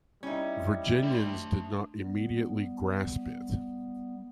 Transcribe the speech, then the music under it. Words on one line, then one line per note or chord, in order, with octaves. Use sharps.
Virginians did not immediately grasp it.
G3 C#4 D#4 E4 E5
A3 D4 E5 C6
G3 B3